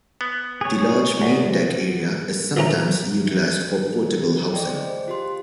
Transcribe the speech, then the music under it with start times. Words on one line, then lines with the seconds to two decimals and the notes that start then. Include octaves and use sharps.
The large main deck area is sometimes utilized for portable housing.
0.21 B3
0.61 G#4 C#5
1.22 D2
2.57 A#1 E3 A3 C#4 A#5
4.53 G#4 D5 D#5 G5
4.67 C5
5.08 F4 G4 C6